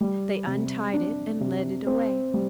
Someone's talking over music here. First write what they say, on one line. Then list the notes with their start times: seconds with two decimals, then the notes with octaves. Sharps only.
They untied it, and led it away.
0.01 G3
0.47 C3
0.94 D4
1.40 C3
1.87 C4
2.34 G3